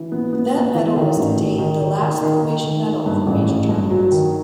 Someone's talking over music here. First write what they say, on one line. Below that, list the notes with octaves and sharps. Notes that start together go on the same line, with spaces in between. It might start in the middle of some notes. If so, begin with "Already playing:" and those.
That medal was to date the last Croatian medal from major tournaments.
Already playing: E3
B3
B3
B3
E3
D#3
A1
D#3
D#3
D#3
D#3
D#3
D#3
D#3
D#3
G2
A1
A1
G2
F#3
D#3